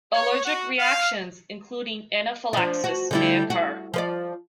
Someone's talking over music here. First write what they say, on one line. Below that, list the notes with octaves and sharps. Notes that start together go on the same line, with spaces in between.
Allergic reactions, including anaphylaxis, may occur.
C#5
F#4
F5
F3 D4
F#4
D3 G3 E4
F#4
F3 B4 D5